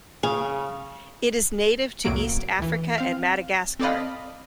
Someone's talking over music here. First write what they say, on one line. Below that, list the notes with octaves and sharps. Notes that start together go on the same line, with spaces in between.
It is native to East Africa and Madagascar.
C#3 G#4 F5
C2 F#2 A2 F#3 A#3 D7
D2 E3
C4 F5
C4 A4 D5 D#5 F5 B5